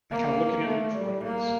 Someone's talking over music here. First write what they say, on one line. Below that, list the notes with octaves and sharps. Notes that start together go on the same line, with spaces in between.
I kinda looking at it for what it is.
A#3
A3
G3
A#3